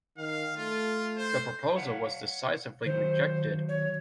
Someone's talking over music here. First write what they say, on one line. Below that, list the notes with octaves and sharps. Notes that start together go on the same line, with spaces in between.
The proposal was decisively rejected.
D#3 F5
A3 F4
C5
C#5 F5 F#5
D#3 F#3 C5
C#5